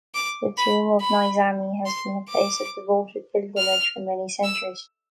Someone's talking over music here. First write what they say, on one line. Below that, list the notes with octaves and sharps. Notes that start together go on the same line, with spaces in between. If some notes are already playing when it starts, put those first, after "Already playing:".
The tomb of Nizami has been a place of devoted pilgrimage for many centuries.
D6
B5
B5
C6
D6
F6
E6